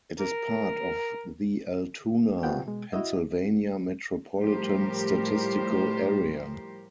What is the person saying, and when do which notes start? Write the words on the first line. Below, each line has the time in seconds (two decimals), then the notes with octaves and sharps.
It is part of the Altoona, Pennsylvania Metropolitan Statistical Area.
0.20 A#4
2.43 B3 F4 G4 F#5 G5
2.67 B2 G#3
2.93 E4 F#4 D#5 E5
4.37 A2 F3 G3 G4 A#4 C5